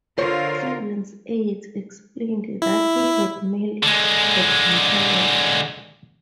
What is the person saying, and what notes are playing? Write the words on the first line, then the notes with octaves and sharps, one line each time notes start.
Cleveland's aides explained that he had merely had dental work.
D3 F4 A#4 C5 C#5
E4
D3 G#3